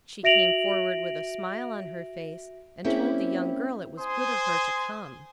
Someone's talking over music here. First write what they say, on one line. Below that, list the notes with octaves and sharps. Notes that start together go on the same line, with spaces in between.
She came forward with a smile on her face, and told the young girl it was good of her to come.
F#4 E5 A#6 D7 F7 F#7
A#3 C4 C#4 E4 G4 G#4
C5 G#5 C6 D#6